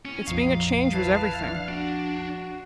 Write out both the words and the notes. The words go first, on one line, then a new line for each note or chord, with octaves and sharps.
Its being a change was everything.
A2 C#4
A#1 F2 F3 D#4 F5
E4 B4 A5
D4
D4 F#4